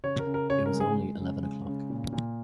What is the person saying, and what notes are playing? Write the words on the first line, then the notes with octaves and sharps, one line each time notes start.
It was only eleven o’clock.
C#3 C#5
A#4
C#3
A#4
C#3 C#5
A#4
G#3
G#4
G#3
C#3
G#3
C#3
A#2
A#2